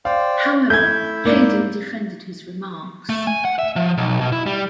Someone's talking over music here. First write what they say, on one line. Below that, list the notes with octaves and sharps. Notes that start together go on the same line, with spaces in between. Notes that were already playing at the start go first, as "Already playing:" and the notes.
However, Hayden defended his remarks.
C5 D5 F5 G5
A3 E4 E5 G6 G#6
G#2 A#3 D5
A3
G#5
F#5
E5
F3
B1
B2
E4
G3